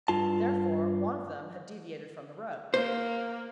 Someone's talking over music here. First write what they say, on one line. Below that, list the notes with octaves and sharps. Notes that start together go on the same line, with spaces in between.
Therefore, one of them had deviated from the road.
G2 F4 A5
A#3 C5